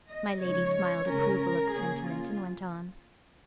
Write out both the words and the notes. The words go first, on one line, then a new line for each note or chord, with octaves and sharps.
My Lady smiled approval of the sentiment, and went on.
D#5
C#3 F3 G#3 D#4 C#5
C#3 G#3 C#4 A#4
A#4
C#3 A#3 C#4 G#4
F4